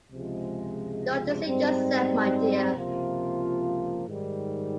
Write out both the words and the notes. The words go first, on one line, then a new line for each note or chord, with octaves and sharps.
Don't deceive yourself, my dear.
C#2 C3 F3 G#3
G#2 G3 C4 D#4
C#2 C3 F3 A#3 F4
G#2 D#3 G3